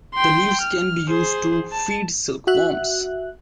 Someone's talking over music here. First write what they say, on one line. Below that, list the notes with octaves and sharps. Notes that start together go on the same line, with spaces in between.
The leaves can be used to feed silk worms.
G5 C6
F6
G#4 C5
A5
F#4 E5 F#6